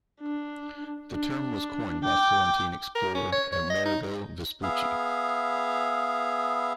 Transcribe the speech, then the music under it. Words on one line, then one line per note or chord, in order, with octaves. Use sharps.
The term was coined by Florentine explorer Amerigo Vespucci.
D4
D4
G5 D6
A#4
C#4
C#5
C#5
D#5
D#4
B3 G#4 E5 F5